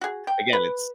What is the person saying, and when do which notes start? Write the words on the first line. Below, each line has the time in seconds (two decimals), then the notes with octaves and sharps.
again, it's
0.01 F#4 G#4
0.27 G5
0.53 B4